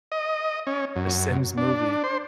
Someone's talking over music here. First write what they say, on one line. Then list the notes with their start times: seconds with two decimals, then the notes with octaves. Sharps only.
The Sims movie
0.12 D#5
0.67 C#4
0.96 F#2
1.57 D4
2.04 C5